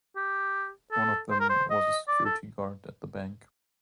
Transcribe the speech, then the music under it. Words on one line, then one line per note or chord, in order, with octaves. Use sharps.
One of them was a security guard at the bank.
G4
A4
C5
A#4
C5
D#5
D5
A4